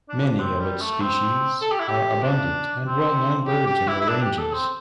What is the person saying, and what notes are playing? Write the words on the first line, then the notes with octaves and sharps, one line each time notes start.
Many of its species are abundant and well-known birds in their ranges.
D4
D4
C4
G3
A3
C4
A4
G4
E4
G4
D4
C4
G4
G4
E4
E4
D4
G4
A4
C4